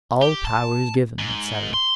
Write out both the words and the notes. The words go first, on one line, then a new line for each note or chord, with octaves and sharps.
"All power is given," etc.
G4
A5
G#2
C6